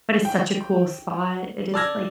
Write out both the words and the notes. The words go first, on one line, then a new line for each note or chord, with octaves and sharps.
but it's such a cool spot. It is, like,
G5
D5 A5 E6 F6 G#6 A#6